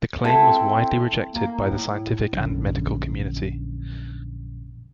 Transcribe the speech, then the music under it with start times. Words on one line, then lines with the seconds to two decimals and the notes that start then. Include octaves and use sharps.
The claim was widely rejected by the scientific and medical community.
0.24 C4 E4 A4
1.34 A#3
1.61 A2
2.33 A#1 F#2 D3